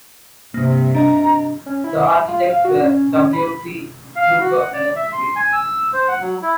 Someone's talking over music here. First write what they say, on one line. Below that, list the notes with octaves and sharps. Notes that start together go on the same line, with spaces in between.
The architects were W. C. Kruger and Associates.
G2 C3 A#3
D4 D#5 A#5
C#4
E4
F4
F5
F#4
C#4
C#4
B5
F5
F#4
F#5
D5
E5
C6
G#5
E6
C5
F#5
F#3
E4